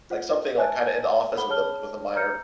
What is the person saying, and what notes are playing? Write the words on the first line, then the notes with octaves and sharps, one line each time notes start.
like, something, like, kinda in the office with a with a minor
F4 C5 F#5
B4 C5 E5 G#5 A5 F#6
A4 C5 F#5 B5 G7
G#4 C#5 A5 F6 G7
A#5 F6 G6 C#7